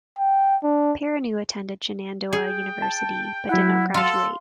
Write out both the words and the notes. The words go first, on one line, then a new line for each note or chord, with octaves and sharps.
Perrineau attended Shenandoah University, but did not graduate.
G5
D4
G#4 G5
A5
F#3 E4 F#5
F4 A4 F5 C6